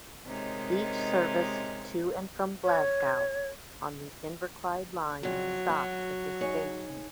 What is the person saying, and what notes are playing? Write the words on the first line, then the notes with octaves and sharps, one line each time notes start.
Each service to and from Glasgow on the Inverclyde Line stops at this station.
C3 D#3 G#3 C#4 D#4
C#5
F2 C#3 F#3
F#4
D#4 G#4 C#5